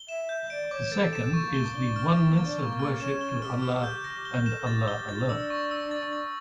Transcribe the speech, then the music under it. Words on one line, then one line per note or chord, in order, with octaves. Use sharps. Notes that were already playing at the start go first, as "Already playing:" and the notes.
The second is the oneness of worship to Allah and Allah alone.
Already playing: G7
E5 E7
G6
D5 D7
C#5 D6
A4 A6
E7
A4 C#6
A#3
A3 G7
A#3
D4 G7
F6
E4 A6
A#3
A6
D4
A#3 C#4 C#6
F6
C#4 E7
G7
G4 A4 F6
F6
G4 A4 G6
A#6
G7
A#4
E7
A4
G4 A6
G7
F4 A6
C#4
D4 E6
C#6
E6
A6
A6